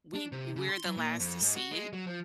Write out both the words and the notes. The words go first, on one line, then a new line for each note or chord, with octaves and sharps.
we we're the last to see it?
D4
C3
C#3
C6
F#3
A#2
F2
G#2
F#4
G#3
F#3
F3